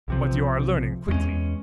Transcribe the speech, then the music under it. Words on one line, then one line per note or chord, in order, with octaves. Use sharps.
"But you are learning quickly."
B1 C3 F3
E2 G#3 A3 C#4